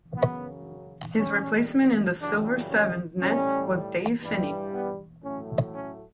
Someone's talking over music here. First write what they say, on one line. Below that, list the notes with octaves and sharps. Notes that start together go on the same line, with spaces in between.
His replacement in the Silver Seven's nets was Dave Finnie.
F#2 C#3 F#3 B3
A2 G3 C#4
F#2 C#3 E3 G3 D4
C#4
A2 G3 C#4
G2 E3 G3
B3
A2 F#3 A3 C#4
C#4